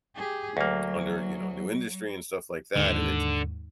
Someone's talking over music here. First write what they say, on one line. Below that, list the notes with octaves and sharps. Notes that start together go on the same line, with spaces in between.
under, you know, new industry and stuff like that, and it's,
G4 G#4
D2 F#3 A#3
D#2 G#2 D3 D#3